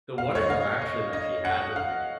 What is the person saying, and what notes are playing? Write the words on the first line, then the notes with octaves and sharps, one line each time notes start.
the one interaction that she had with me
F5
C#5
D#5
F5
D#5
D#5
F#5
F5